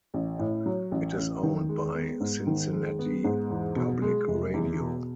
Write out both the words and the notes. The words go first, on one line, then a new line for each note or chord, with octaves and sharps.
It is owned by Cincinnati Public Radio.
A1
A2
F#3
A1
A1
D#3
G#3
B3
G#2
D#3
G#3
B3
G#2
E2
B2
G#3
F1
E2
B2